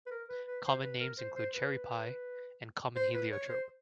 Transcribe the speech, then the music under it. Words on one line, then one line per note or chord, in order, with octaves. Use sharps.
Common names include "cherry pie" and "common heliotrope".
B4
A#4
B4
B4
C5
B4
A#4
C5
C5
B4
C5
B4
C#5
C5